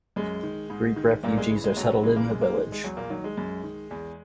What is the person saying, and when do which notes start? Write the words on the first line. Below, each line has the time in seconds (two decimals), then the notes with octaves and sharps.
Greek refugees are settled in the village.
0.16 F#2 G#3
0.43 D#3
0.70 G#2
0.96 D#3
1.23 F#2 A#2 A#3
1.37 G#3
1.50 C#3 E3
1.64 G#3
1.77 F#2 F#3
2.03 C#3 E3 G#3
2.16 A#3
2.30 F#2 G#3
2.41 A#3
2.54 D#3 G#3
2.72 G#3
2.84 E2 F#3
2.97 A#2 A#3
3.10 D#3 F#3
3.24 G#3
3.37 F#2
3.63 D#3
3.91 E2